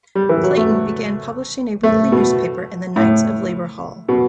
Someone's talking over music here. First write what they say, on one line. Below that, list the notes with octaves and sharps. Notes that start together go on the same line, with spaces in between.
Clayton began publishing a weekly newspaper in the Knights of Labor Hall.
G3
E3
F#3
A3
A3
B2
A2
B2